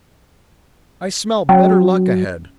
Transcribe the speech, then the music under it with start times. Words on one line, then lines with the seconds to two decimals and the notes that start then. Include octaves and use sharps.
"I smell better luck ahead."
1.49 F#3 C#4